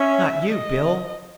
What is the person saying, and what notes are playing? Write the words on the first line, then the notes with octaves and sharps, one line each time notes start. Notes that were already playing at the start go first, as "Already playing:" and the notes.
Not you, Bill!
Already playing: C#4 E5
D#5